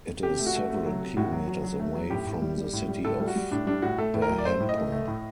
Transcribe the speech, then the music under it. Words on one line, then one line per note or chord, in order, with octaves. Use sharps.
It is several kilometers away from the city of Berhampur.
C3 G4
A3
F#4
A3
A3
F#3
C3
A2 F#4
F#3
F#3
F#3
A3
F#3
A2 G4
A2
G3
G3
A2
G3
A2 A4
G3
F#4
G3
A2 D4
G3 D4
A2 F#4
A3 A4
A2
A#4
F#3
D5
A3 C5
A2
D#5
A3
A3
A2